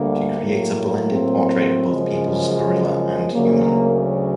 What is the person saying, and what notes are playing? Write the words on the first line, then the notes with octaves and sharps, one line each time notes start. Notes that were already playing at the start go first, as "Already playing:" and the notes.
She creates a blended portrait of both peoples-gorilla and human.
Already playing: D2 D3 G3 A#3
A2 F#3 A#3
C4
F#2 C#3 F3 G#3
D2 C#3 F#3 A#3